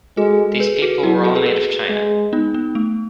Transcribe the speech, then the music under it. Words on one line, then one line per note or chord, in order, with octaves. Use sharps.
These people were all made of china.
G#3 F#4 A4
G#4 B4
F#4 A4
F#3 E4 G#4
F#4 A4
G#4 B4
G#4 B4
G#3
B3 D#4
B3
A3